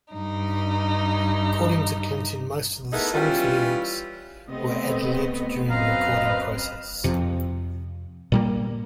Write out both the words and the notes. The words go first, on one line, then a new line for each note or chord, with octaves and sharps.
According to Clinton, most of the song's lyrics were ad-libbed during the recording process.
G2 D#4
A3 B3 D#4 E4 G#4 A#4
E3 G3 C#4 E4 F4
C3 A3 B3 C4 D#5
F#2 C4 B4 D#5 F5 A#5
F2 C3
A#2 G3 A#3